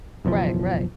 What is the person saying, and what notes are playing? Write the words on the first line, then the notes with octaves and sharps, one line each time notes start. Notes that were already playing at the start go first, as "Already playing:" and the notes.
Right, right.
F#1 B1 E2 F3